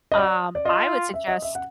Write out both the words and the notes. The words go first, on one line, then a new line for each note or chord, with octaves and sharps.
um, I would suggest,
D#5
F#4 D5
D5
F4 D#5
E5
D#5
E5
F#5